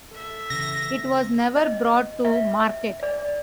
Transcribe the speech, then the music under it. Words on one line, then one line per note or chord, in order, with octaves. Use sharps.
It was never brought to market.
A4 E5
C#3 E3 A#6
D#5
E5
D5